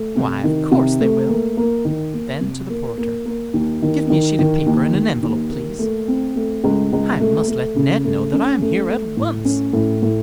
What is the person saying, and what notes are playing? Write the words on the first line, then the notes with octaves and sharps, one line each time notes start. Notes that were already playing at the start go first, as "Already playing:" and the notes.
"Why, of course they will." Then to the porter, "Give me a sheet of paper and an envelope, please.--I must let Ned know that I am here at once."
Already playing: A3
C3
D#3
C3
A3
A#3
A#3
D#3
A#3
C3
A#3
A#3
A#3
D#2
D#3
D#3
D#3
D#2
D#2
D#2
A#3
A3
C4
A3
C#2
C#2
A3
A3
C#3
A3
C#4
A3
A3
A2
C#4
A2
A2